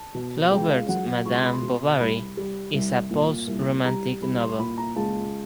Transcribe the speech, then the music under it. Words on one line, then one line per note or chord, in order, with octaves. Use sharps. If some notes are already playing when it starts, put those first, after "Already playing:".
Flaubert's "Madame Bovary" is a post-Romantic novel.
Already playing: A5
B2
C#2 G5
F5
F#3 F#5
F#5
C#2 C#6
C6
B5
C6
B2
C2 B5
G3
C2
A#2
C2
G3 A#5
C2 B5
C6
A#2 B5
A#5
C#2 A5